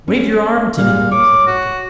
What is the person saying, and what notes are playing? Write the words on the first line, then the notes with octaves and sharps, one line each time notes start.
"Wave your arm to them," said Lincoln.
C#4
A#2 G3 G#3 F5
C#5 D6
F#4